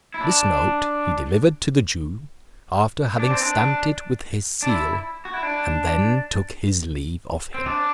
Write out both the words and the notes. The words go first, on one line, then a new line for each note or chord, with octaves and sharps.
This note he delivered to the Jew, after having stamped it with his seal, and then took his leave of him.
E4
D4
D4
C4
D4
D4
E4
F#4
E4
D4
C4
D4